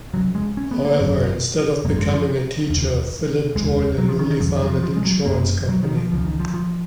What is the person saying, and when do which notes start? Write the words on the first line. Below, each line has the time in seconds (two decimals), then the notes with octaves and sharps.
However, instead of becoming a teacher, Filip joined a newly founded insurance company.
0.14 F1 F2 C#3 F#3
0.35 G#3
0.57 C#4
0.71 B3
0.85 A#3
0.99 G#1 F#2 C#3
1.85 G#1 F#2 C#3 A#3
1.99 G#3
2.13 F3
2.69 F1 D#2 C#3
3.55 F1 D#2 C#3 G#3
3.98 F#3
4.08 F3
4.19 D#3
4.30 D#3
4.40 F1 F2 C#3 F3
4.55 D#3
4.62 F#3
4.69 F3
4.83 F3
4.96 G#3
5.04 F#3
5.26 F#1 F#2 C#3 A#3
5.68 F#3
5.83 D#3
5.96 F3
6.11 C#2 C#3 F3
6.25 D#3
6.40 F3
6.54 F3